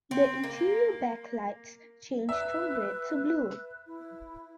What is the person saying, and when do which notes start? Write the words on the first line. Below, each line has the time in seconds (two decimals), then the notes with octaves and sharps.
The interior backlights changed from red to blue.
0.11 C4
0.44 A#3
2.29 B4 E5
3.87 E4